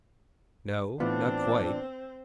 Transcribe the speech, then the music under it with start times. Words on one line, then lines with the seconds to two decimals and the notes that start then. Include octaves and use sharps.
"No; not quite."
1.00 A2 E3 B3 C4 D4 F4 C5